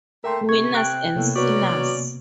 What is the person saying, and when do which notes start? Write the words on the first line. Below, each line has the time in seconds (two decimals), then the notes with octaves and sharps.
Winners and sinners.
0.24 A3 A#3 A#4 E5 G5 C6
0.49 C3 C#6 G#6
0.75 G5 F#6
1.16 A2 C3 A#3 B3
1.36 F#3 C#4 F#4 B4 D5